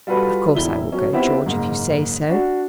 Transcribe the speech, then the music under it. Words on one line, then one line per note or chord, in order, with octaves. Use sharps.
Of course I will go, George, if you say so.
G3 F4 F#4 A4 B4
E1 E4 G7
F#3 C#4 A4
B3 C4 E4 G4 E5 F5
F#1 G#2 A#3
D4 F#4